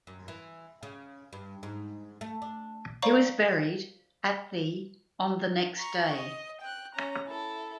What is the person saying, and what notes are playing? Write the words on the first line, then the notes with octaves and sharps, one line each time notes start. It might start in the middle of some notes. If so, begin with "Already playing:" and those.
He was buried at the on the next day.
F#2
E3
C#3
G2
G#2
A3
D4
C5 D5 F5 A#5 B5 C#6
A#5 C#6
D#5
G5 F#6
C#4 A#5
E4 A4